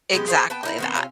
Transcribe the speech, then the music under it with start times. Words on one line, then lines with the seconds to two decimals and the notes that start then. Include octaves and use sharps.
Exactly that.
0.13 G#3 B3 G4
0.28 G#4 B4 C5 G#5
0.50 B3 G5 A5
0.63 D#4 E4 A#4
0.78 D#3 B3 C4
0.95 C3 C#4 F4